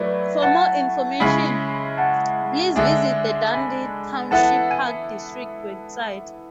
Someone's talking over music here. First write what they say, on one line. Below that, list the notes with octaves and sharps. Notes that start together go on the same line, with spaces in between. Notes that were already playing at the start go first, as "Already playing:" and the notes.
For more information, please visit the Dundee Township Park District website.
Already playing: F#3 A3 E4 B4 D5
F#5 A5
C#3 G#3 C#4 E4 G#5 B5
F#5 A5
D3 G#3 D4 E5 G#5
G#5 B5
E3 B3 E4 A4 F#5 A5
G#5